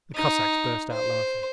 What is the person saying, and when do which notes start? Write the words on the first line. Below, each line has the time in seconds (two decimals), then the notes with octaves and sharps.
The Cossacks burst out laughing.
0.15 D#4
0.92 C5